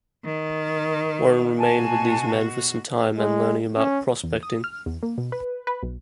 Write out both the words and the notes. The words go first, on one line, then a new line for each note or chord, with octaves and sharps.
Warren remained with these men for some time and learning about prospecting.
D#3
B2 F#4 G#5 A5
G#3
C#4
E2
D#6
F6
E2
A#3
B2
B4
B4
B1